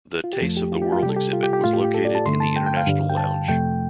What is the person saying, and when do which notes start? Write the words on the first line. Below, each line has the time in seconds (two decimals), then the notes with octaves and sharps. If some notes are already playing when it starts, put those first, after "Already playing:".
The 'Tastes of the World' exhibit was located in the International Lounge.
0.24 F4
0.33 G4
0.40 F2 F3 A3 A4
0.57 G4
0.72 F4
0.82 G4
0.92 F4
1.02 C3 G4
1.06 G3 A4
1.17 G4
1.33 F4
1.43 G4
1.53 G4
1.64 A2 A3 F4
1.73 G4
1.84 G4
1.94 A4
2.05 D5
2.15 A5
2.26 G2 D3 A3 C6
2.40 A5
2.56 G5
2.66 G5
2.77 F5
2.87 G2 D3 G3
3.10 G5
3.17 A5
3.48 F2 C3 F3 A3 G5